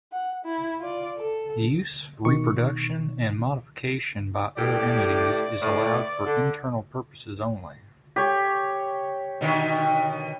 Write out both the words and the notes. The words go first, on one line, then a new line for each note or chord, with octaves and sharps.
Use, reproduction and modification by other entities is allowed for internal purposes only.
F#5
E4
F4 D5
A4
B2 D#3 C#6
A2 G4 D5
A2
D3
G4 C#5
B2 D3 D#3